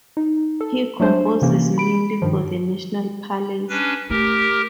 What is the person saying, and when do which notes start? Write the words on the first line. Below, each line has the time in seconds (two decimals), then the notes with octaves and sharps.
He composes mainly for the National Palace.
0.17 D#4
0.61 A4
1.00 F#3 A3 D4 C5
1.42 C3 E3 A#3 C#4
1.78 B5 D7
2.22 G2 D#3 F3
3.69 C#4 D4 B4
4.10 A3 E4 G4 A#4